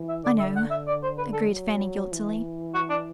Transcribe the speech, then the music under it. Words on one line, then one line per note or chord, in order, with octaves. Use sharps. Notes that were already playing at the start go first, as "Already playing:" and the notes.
"I know," agreed Fanny guiltily.
Already playing: E3
E5
D3 D5
E5
F#5
E5
D5
C5
B4
A4
F#3
E3
F#4
D4